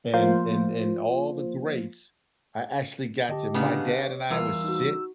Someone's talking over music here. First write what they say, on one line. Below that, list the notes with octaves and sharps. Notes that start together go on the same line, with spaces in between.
and and and all the greats I actually got to my dad and I would sit
F3 A#3 F4 C5
D3 G4 D#5 G5 A5
C#3 B3 D4 F5
C#5
E2 E3 G3 F4 A#4 E6
D#4 F#4